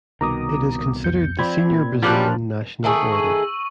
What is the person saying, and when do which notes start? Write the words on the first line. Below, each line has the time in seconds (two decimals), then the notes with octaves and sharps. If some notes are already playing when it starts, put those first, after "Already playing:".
It is considered the senior Brazilian National Order.
0.21 C2 B2 D#3 A#5 D6 D#6
1.04 F2 G6 C#7
1.39 F3 C4 D5 B5 G#6
1.71 A#2
2.02 F#2 F3 G3 D4 B4 G5 F6 F#6
2.84 D#3 A3 G#4 C#6 E6 F#7
3.12 C#6 D#7